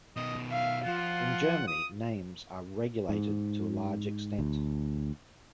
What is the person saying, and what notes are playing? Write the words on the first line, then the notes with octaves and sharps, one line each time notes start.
In Germany, names are regulated to a large extent.
B2 D#3 D#5
E5 F5
F3 F4 F#5
D#6
G#2
D2